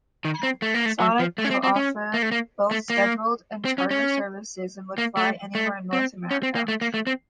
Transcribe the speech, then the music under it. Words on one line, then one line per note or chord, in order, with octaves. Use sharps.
SonicBlue offered both scheduled and charter services and would fly anywhere in North America.
D#3
C4
A3
A#3
A3
F#3
F3
A3
C#4
C4
C4
C#4
A#3
A3
A#3
A3
A#3
C4
C#4
C#4
A#3
A3
A3
C4
C#4
C4
A#3
A3
A#3
A3
C4